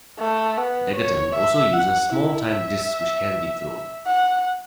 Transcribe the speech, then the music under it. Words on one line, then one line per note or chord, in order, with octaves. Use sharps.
Degaton also uses small time discs which can be thrown.
A3
B3
C#5
E5
F#5
E4
E5
F#5